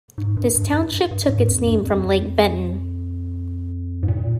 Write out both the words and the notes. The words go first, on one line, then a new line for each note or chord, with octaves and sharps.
This township took its name from Lake Benton.
G#2
G2
G2
G2
G2
G#2
F2
G2
F2
G#2
A#2